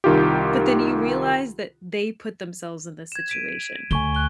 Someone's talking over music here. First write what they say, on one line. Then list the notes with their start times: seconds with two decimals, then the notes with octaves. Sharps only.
but then you realize that they put themselves in this situation,
0.04 C2 D#3 F4 G4
3.12 G#6 E7
3.29 B6 D7 D#7
3.91 D2 G#5 C#6 G7
4.15 F#6 G7